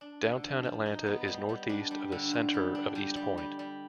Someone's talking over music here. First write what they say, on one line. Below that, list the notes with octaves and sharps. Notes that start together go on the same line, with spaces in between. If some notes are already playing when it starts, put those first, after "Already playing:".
Downtown Atlanta is northeast of the center of East Point.
D4
D3
F3
F3
D#4
B3
G3
G3
D4
G3
D3
F4
G3
D4
G3
G3
G3
G3